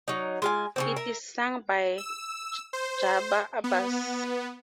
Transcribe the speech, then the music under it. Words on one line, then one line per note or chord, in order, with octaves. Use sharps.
It is sung by Jabar Abbas.
F#3 D#4
G#3 F4 G#5
C#3 E3 C4
A#4 E5
E6
C5
B3